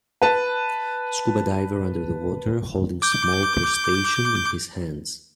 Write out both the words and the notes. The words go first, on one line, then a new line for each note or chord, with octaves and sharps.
Scuba diver under the water holding small crustacean in his hands.
B4 A5
D6 G6